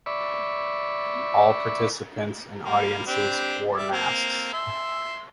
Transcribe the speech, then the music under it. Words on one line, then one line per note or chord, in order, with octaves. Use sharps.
All participants and audiences wore masks.
D5 E5 B5 C#6
G3 A#3
C4 D4 G4
G3 D5 E5
A#3 C4
E5 C6 E6